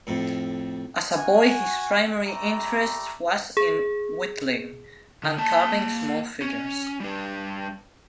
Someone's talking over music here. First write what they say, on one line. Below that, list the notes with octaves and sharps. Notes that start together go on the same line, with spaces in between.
As a boy his primary interest was in whittling, and carving small figures.
F2 A2
F#4 G#5
G3 A3 A#5
G#4
D3
A#3 A5
C#4
G3 D4